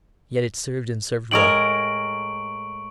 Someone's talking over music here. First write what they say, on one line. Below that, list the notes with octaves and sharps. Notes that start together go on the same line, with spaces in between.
Yet it served and served well.
A2 G#3 A#4 C#6 D7 F#7